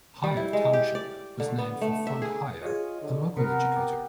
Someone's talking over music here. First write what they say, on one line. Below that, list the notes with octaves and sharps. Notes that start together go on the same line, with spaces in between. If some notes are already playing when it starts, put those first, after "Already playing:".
Heier Township was named for Frank Heier, a local educator.
G3
E4
G#3
G4
D5
D3
B3
A3
E5
G#4
F4 G#4 C#5 D#5
D3
C3 B3 C4 A#4
G4